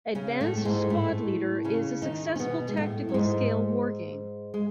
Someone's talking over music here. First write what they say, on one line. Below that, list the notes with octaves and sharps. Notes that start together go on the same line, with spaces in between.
"Advanced Squad Leader" is a successful tactical scale wargame.
C#3 C#4
A2 A3
A3
G#2 G#3
A2 A3
C#3 C#4
D#3 D#4
C#4
B2 B3
G#3
A2 A3
F#3
G#2 G#3
G#3